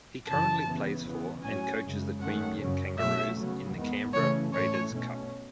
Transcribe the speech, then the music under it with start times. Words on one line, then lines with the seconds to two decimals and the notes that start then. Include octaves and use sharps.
He currently plays for and coaches the Queanbeyan Kangaroos in the Canberra Raiders cup.
0.27 F#2 C#3 E3 A5
0.66 C#3 E3 B3
1.05 E2 C#3 E3 B3
1.44 A2 F#3 C#4 G#5
1.82 F#2 C#3 G#3
2.21 F#2 D#3 A3 C#4 F#5
2.60 F#2 C#3 F#3 C#4
2.98 B2 F#3 A3 C#4 E5
3.37 C#3 F#3 B3
3.75 E2 D#3 G#3 B3
4.14 C#3 E3 A3 C#4 C#5
4.53 A2 E3 A3 C#4 C#5
4.91 B2 A3 C#4